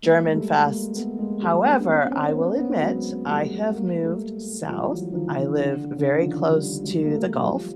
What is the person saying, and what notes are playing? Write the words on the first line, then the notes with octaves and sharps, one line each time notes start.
Germanfest. However, I will admit, I have moved South, I live very close to the Gulf,
G#3 A#3
G#3
G3 A3
G#3 A#3
A3 B3
G#3 A#3
G3 A3
A3 B3
D4
B3 C#4
C4
B3 C#4
B3
A#3 C4
B3 C#4
F#3 G#3
G3 A3
G#3 A#3
G3 A3
F3 G3
E3 F#3
D#3 F3
F3
D3 E3
D3
C#3
D3
C#3
D#3 F3
F3 G3
F#3 G#3
A#3
G3 A3
F#3
F3 G3